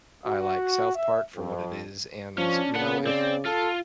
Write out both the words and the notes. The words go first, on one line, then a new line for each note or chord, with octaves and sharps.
I like South Park for what it is, and you know, if
F#4
E5
F2
F3 C#4 D4
C#3 B3 F#5
C4 D5
F4 A4